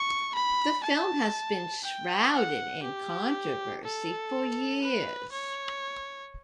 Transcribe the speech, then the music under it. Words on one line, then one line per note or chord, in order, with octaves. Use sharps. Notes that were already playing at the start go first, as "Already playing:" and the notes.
The film has been shrouded in controversy for years.
Already playing: C#6
B5
A5
G5
F#5
G4
A4
B4
C#5